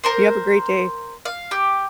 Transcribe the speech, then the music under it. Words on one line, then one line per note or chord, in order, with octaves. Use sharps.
You have a great day.
A#4 C5 C6
F5
G4